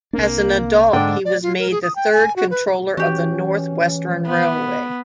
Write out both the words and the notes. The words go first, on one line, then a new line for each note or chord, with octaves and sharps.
As an adult, he was made the third Controller of the North Western Railway.
C2 A#3 C4 D4
G#2 D3 D4 G5
D5
F4
A#4
G#4
D#6
G5
G#5
F#4
B4
E3 C#4 F#4 G4
B3